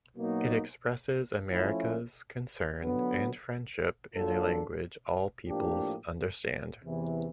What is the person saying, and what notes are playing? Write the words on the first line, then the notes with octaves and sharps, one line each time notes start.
It expresses America's concern and friendship in a language all peoples understand.
B2 F#3 A#3 D#4 F#4
F3 A3 C#4 E4
D3 F#3 B3
F#3 A#3 D4 F4 A4
A2 F3 A#3 D4 G4
E2 C3 E3